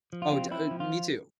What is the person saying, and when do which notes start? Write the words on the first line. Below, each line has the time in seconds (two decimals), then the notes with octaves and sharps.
Oh, d uh, me too.
0.13 F3
0.22 F4
0.32 C4
0.51 C4 E4
0.71 F3
0.80 F4